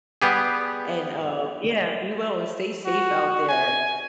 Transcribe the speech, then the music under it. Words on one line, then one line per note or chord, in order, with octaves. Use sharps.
and, uh, yeah, be well and stay safe out there.
G3 B3 G4 G#4
F#4
G#5